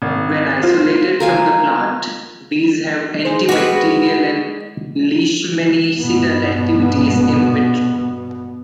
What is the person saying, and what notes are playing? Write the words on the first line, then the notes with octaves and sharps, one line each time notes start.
When isolated from the plant, these have antibacterial and leishmanicidal activities "in vitro".
G#1
F4 C5
A#4 F5 G#5
D#4 G#4 C5
G#3 C#4 F#4 G4 B4
G2 B2 B3